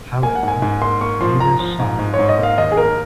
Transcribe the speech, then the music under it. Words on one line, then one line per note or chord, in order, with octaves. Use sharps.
However, neither song won.
A#3 G#5
F#5
G#2
G#5
G#2
A#3 C6
A#3 C#6
F3 C6
F3 A#5
F3
G#2
G#2
C#5
G#2
D#5
A#3 F5
D#2 D#5
G#4
D#2 A#4